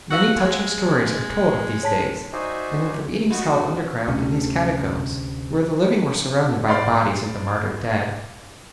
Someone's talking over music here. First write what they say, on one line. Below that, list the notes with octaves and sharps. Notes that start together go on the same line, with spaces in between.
Many touching stories are told of these days; and of the meetings held underground in these Catacombs, where the living were surrounded by the bodies of the martyred dead.
F#4 F5 E6 F#6
G#3
C#5 A5 B6
D#4 F#4 C5 D5 E5 G#5
G#3 A3 B3 F#4
D2 C3 A3 C#4
D5 F5 B5 C6